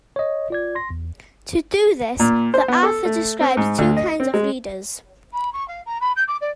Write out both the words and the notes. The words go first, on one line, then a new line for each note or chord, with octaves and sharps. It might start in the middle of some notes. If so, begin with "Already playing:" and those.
To do this, the author describes two kinds of readers.
C#5 D#5
F4 D5 G#6
C6 A#6
E2
A#2
C5
B3
A4
A3
C4
G#2
D2
D#5
C4
G#3
B5
C#6
F5
A#5
B5
G6
D6
D5